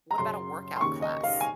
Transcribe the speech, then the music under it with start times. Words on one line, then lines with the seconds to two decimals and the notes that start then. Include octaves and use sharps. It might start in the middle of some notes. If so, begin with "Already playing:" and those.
what about a workout class?
0.11 A#5
0.18 F#2 C#3 C6
0.76 C6
0.81 D#2 C#3 C#6
1.02 D#5
1.24 F5
1.41 G#5